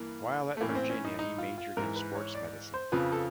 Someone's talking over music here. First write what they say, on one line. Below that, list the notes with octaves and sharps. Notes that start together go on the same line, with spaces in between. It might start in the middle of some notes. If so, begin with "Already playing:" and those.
While at Virginia, he majored in sports medicine.
Already playing: G2 E3 A#3
A3
A2 E3 A#3
C#4
C4
C#4
D#4
D#4
F4
F4
G#2 E3 A#4
B4
C#5
D5
C5
F2 C#3 F3 B4
A4